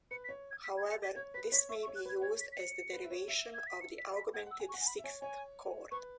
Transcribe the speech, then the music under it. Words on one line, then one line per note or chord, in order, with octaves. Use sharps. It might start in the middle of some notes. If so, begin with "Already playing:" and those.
However, this may be used as the derivation of the augmented sixth chord.
B4 C#7
B6
C#5
G#6
B6
G#6
C#7
B6
C#5 G#6
B4 B6
C#5 B6
E5 C#6
C#6
C#5
F#6
B4 G#6
C#5 G#6
B6
B6
C#7
B4
E5
C#5
E5
G#6
B6
C#7
B6
B6
F#5 G#6
F#5
E6
G#5
C#6
F#5
G#5
B5
E5
C#5 G#5
C#5 G#5
B4 C#6